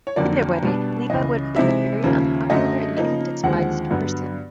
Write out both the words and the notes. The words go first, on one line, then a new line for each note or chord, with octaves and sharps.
Either way, Levi would have been a very unpopular and even despised person.
C#5
F2 D3 F#3 A#3 D5
B2 G3 B3 D4
C#2 C#3 E3 D#5
C3 E3 G#3 C4 D#4 E5
D#2 C#3 F3 A#3 C#4
F#2 D3 F#3 A3 D#5
C#3 F3 A#3 D#4
D#2 D3 F3 G#3 C4 F#5
G2 D3 F#3 B3